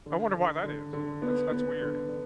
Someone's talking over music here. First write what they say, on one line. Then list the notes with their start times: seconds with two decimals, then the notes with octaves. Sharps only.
I wonder why that is. That's that's weird.
0.06 D3
0.36 D3
0.64 D3
0.93 D3
1.22 B3
1.51 B3
1.81 D3
2.09 D3